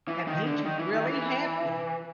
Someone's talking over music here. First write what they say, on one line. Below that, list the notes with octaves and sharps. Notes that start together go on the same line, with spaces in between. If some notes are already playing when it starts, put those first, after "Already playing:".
that made you really happy?
E3
D#3
D3
D#3
E3
D#3
E3